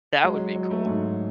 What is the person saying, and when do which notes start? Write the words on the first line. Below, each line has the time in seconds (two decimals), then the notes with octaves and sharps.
That would be cool.
0.24 F#3 G#3
0.55 F#3
0.71 A3
0.87 G#2